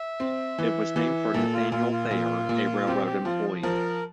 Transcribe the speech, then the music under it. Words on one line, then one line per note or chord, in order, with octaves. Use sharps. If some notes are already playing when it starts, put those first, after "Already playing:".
It was named for Nathaniel Thayer, a railroad employee.
Already playing: E5
C4
E3
E3
A#2 A4
F4
A#2 F4
F4
A#2
A#2
C4 G4
G4
F3 F4
F3 A#4